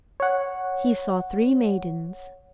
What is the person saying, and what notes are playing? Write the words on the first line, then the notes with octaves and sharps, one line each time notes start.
He saw three maidens.
C#5 F#5